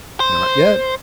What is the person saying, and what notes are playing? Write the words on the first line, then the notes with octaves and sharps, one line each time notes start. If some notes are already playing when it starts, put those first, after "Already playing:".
"Not yet."
C5